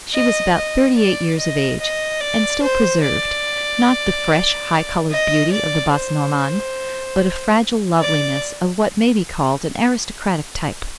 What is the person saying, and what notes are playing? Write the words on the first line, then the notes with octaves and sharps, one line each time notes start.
She was about thirty-eight years of age, and still preserved, not the fresh, high-colored beauty of the Basse-Normandes, but a fragile loveliness of what may be called an aristocratic type.
D#5
D#5
D5
D#5
D#5
D5
C5
D5
D#5
D5
C5
D5